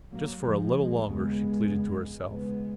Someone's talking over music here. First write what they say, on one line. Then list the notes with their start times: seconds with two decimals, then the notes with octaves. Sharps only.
Just for a little longer, she pleaded to herself.
0.11 F#3 A#3
0.42 F2 C#3 F3 G#3
1.04 D#2 C#3 G#3 B3
1.65 F2 C#3
2.27 D#2 C#3 G#3 B3